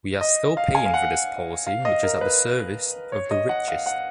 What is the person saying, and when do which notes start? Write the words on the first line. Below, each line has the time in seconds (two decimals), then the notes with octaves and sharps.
We are still paying for this policy which is at the service of the richest.
0.21 D#5
0.57 F5
0.75 G#5
0.86 F5
0.94 F#5
1.67 F5
1.85 D#5
2.03 A#4
2.21 B4
3.12 C#5
3.31 D#5
3.49 F#5
3.68 F5
3.86 F#5